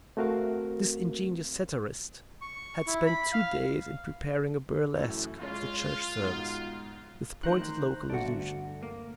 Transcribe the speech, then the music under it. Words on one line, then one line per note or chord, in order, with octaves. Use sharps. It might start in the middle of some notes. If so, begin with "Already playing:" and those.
This ingenious satirist had spent two days in preparing a burlesque of the Church service, with pointed local allusions.
A3 C4 F#4 A#4 F5
C#6
E4
B5
F5
F#2 A2 E3
F#1 G#3 C#4 F4
G#2 B2
A2 D#3 C5 A#5 F#6
G1 A3 D4 F#4
A#3